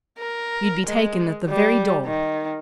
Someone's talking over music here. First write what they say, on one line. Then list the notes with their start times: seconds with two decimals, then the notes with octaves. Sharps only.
You'd be taken at the very door.
0.18 A#4
0.87 G#3
1.49 G3
2.06 D#3